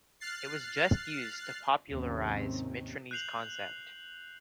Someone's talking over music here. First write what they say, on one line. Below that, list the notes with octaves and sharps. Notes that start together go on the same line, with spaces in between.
It was just used to popularize Mitrany's concept.
F6 F#6 A6 C7
D#2 G#2 C3 D#3 C4 C#4
F#6 G6 C7 F7 F#7